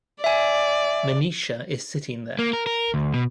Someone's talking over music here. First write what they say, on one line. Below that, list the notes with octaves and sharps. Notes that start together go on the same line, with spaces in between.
Manisha is sitting there.
D5 E5 G#5
A#3
A#4
A#4
D2
B2